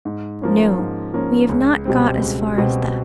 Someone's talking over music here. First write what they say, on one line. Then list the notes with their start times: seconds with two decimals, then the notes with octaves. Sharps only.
No; we have not got as far as that.
0.05 G#2
0.42 F3 A#3 C#4
0.78 G#2
1.13 F3 A#3 C#4
1.49 C#2
1.85 B2 G3 C4
2.22 C#2
2.58 B2 G3 C4